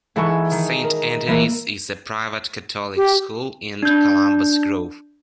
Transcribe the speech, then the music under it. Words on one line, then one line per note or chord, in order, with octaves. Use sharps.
Saint Anthony's is a private catholic school in Columbus Grove.
G#2 E3 E4 A4 G#5 C#6
D#3
A#4
E3 A#3 A#4
G4
D4 G6